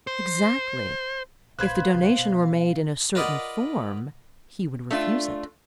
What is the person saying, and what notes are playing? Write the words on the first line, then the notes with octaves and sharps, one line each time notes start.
"Exactly: if the donation were made in a certain form he would refuse it."
C5
A#1 B4 C5 F5 F#6 G#6
B1 C#3 F#3
B2
F4 A#4 B4 D5 D#5 F#5
A3 D4 F4